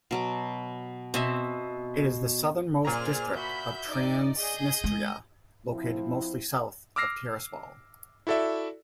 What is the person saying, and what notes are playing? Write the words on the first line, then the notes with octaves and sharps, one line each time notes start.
It is the southernmost district of Transnistria, located mostly south of Tiraspol.
B2 F#3 D6
B2 C4 D#5 E5
A#2 G#4 C5 D5 A#5 F6 F7
F#4 E5 B5 G6
D#4 D5 D#5
G#4 D#5 G6
G#3
F3 C4 E4
D6 E6 F6 A#6 C7
E4 F#4 A4 D5 E5